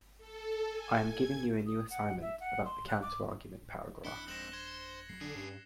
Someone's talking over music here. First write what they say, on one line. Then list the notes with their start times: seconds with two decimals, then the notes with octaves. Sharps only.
I am giving you a new assignment about the counterargument paragraph.
0.18 A4
0.68 G#5
1.02 G#6
1.67 D#6
1.90 F#5
2.21 E5
2.41 F#5
2.65 C6
2.88 F#6
3.02 D6
4.05 F2 D4 E4 F#6 C#7 G7
4.28 G#3 C4 A#6 E7 F#7
4.53 C5 G#6
5.09 F2 F#3 C7
5.21 D3 D4 G#4
5.35 G2 C#4